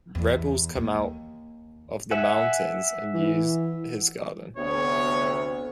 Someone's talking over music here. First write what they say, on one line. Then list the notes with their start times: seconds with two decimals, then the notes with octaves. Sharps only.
Rebels come out of the mountains and use his garden.
0.15 E2
0.75 D#2
2.11 E5 F#5 G#5
3.14 E3
4.57 D2 C3 B3 C#5